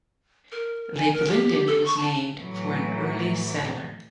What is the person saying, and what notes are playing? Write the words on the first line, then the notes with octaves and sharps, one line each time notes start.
Lake Linden was named for an early settler.
A#4
G#5
A#4
G4
A4
C#6
A5
A2 E3 F#3